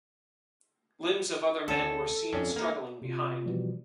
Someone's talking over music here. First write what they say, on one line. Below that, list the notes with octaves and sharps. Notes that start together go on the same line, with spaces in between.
Limbs of other men were seen struggling behind.
D2 C#4 A4
F2 C#4 D4
A#3 D#4
C3 F4
B2 E3 F3 G3